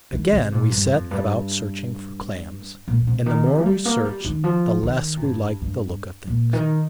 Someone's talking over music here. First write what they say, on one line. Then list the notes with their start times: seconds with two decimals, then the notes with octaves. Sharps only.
Again we set about searching for claims, and the more we searched the less we liked the look of things.
0.13 D#3
0.33 C3
0.52 A#2
0.72 G2
0.91 F2
1.11 G2
2.88 A#2
3.02 A#2
3.07 C3
3.26 D#3
3.46 C3
3.61 A#3
3.66 G3
3.85 A#3
4.05 G3
4.25 D#3
4.44 F3
4.83 D#3
5.17 A#2
5.22 G2
5.62 G2
6.27 A#2
6.53 D#3